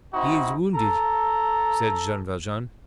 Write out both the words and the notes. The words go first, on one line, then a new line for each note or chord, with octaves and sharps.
"He is wounded," said Jean Valjean.
C4 D#4 E4 F#4
A4 A#5